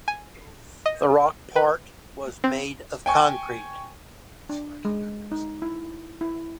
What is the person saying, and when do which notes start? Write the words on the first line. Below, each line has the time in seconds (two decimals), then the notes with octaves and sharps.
The rock part was made of concrete.
0.08 G#5
0.86 D#5
1.56 B4
2.44 C4
3.06 G5 G#5 C#6
4.49 D4
4.85 G#3
5.32 D#4
5.62 E4
6.21 E4